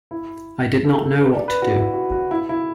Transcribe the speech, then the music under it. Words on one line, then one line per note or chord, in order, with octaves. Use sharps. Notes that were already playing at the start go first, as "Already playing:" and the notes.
I did not know what to do.
E4
A4
A4
B4
D5
B4
F#4
E4
F#4
F#4
E4
E4